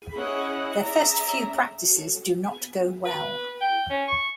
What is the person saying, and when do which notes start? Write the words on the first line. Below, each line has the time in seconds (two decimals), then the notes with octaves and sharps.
Their first few practices do not go well.
0.14 C#4 E4 G#4 D#5 F#5
0.80 G#4 D5 E5 A#5
3.05 B4
3.61 G5
3.90 C#4
4.08 C#6